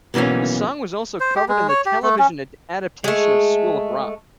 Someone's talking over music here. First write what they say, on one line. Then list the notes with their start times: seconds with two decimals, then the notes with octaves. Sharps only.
The song was also covered in the television adaptation of School of Rock.
0.14 B1 B2 E3 A#3 C#4
1.20 C5
1.35 G4
1.49 G#3
1.69 C#5
1.86 G4
2.03 A3
2.19 C#4
3.04 G#3 A3